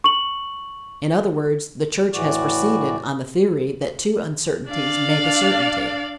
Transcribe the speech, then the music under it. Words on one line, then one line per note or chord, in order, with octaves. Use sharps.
In other words, the church has proceeded on the theory that two uncertainties make a certainty.
C#6 F#7
A2 E3 F#4 D5
D4 D5 F5